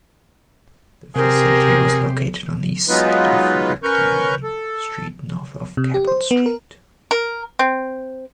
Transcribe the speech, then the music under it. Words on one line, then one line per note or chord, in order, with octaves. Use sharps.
The facility was located on east side of Rectory Street north of Cabell Street.
C3 G4 G#4 A#4 C5
F#3 G#3 B3 D#4 F4 B4
C#4 A#4 B4 C#6 F6 G6
A4
C3
G4
C5
B3
A#4
A#4
C4